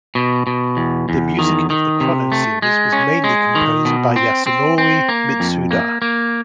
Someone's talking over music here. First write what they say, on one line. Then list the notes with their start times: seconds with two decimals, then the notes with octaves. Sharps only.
The music of the "Chrono" series was mainly composed by Yasunori Mitsuda.
0.15 B2
0.47 B2
0.77 E2
1.09 E2
1.39 D#3
1.70 D#3
2.01 C3
2.32 A3
2.62 G#3
2.93 C#4
3.24 G#3
3.55 D#3
3.85 B2
4.16 C4
4.47 C4
4.78 C4
5.09 A#3
5.40 F2
5.71 A#3
6.02 A#3